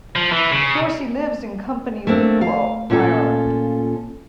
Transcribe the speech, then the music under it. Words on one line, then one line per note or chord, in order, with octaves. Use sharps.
Dorcey lives in Company Wicklow, Ireland.
F3
E3
C#3
A3 A#3 C4 D4
F5
A#2 C#4 F4 G#4 A4